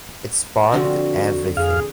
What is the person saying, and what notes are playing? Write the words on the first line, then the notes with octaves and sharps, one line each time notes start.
It sparked everything.
D3 F3 C4 F#4
F2 G#4 F5 F6